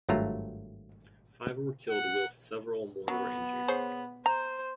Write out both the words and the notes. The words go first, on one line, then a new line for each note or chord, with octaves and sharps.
Five were killed whilst several more were injured.
G#1 G2 F#3 A3 F4 A#5
F#5
F#3 B3
G#4 C5 C#5
C5 A#5